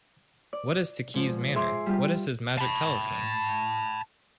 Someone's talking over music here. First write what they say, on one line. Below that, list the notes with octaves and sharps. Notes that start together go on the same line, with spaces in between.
What is Saki's manner, what his magic talisman?
D5
G#2 F3
G#4 E5 C6 D6
G3 F4 G4
A5 B5